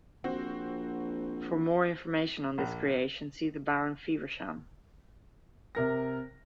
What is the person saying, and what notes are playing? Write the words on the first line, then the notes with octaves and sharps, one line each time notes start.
For more information on this creation, see the Baron Feversham.
A#1 C4 F#4
A#1
C3 A#4 A#6